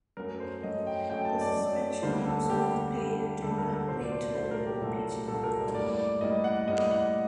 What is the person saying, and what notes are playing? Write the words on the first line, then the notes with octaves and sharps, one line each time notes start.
The suspension was with pay and did not lead to an impeachment vote.
F#2 F#3 A3 A#4
C5
F#2 F#3 A3 D#5
G5
F#2 F#3 A3 G5
A5
D5
F#2 F#3 A3
D2 D3 G3 A#3 C5
A4
D2 D3 G3 A#3 G4
D2 D3 G3 A#3
D2 D3 G3 A#3 A4
A#4
A4
C2 A#2 F#3 A3 C5
D5
C5
C2 A#2 F#3 A3 C5
A#4
G4
C2 A#2 F#3 A3 A4
C2 A#2 F#3 A3 A4
A#4
A2 G3 A#3 D5
D5
A2 G3 A#3 D#5
F#5
A2 G3 A#3 D#5
F#5